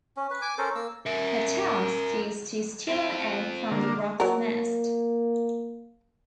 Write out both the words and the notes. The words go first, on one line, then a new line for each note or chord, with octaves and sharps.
Her task is to steal an egg from the Roc's nest.
C#4
B4
G#5 D6
C#4 A4 A#4 C5
A#3 E6
A#4 E5
C4 F4
D3 A#3
F#3 A#3 A#4